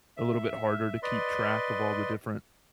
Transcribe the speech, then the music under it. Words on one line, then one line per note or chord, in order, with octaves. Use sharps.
a little bit harder to keep track of all the different
E5
B4 D5 D#5 C6